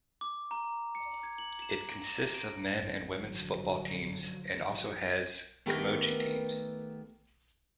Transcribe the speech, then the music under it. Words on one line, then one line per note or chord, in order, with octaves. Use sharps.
It consists of men and women's football teams and also has camogie teams.
D6
A#5
C#7
G#6
F#7
E7
A#6
D7
A1 G2 D3 F3 F#3
D#3 A3 B3 G4 A#4 B4